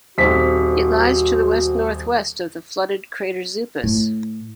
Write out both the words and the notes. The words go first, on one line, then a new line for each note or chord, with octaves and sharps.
It lies to the west-northwest of the flooded crater Zupus.
D#1 C4 F#4 B6
A2